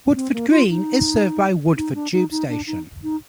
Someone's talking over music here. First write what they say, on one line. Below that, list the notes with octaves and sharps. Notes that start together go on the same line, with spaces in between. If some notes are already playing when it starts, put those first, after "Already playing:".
Woodford Green is served by Woodford tube station.
C4
A#3
F4
D#4
D#4
D4
D#4
D#4
D4
D#4
D#4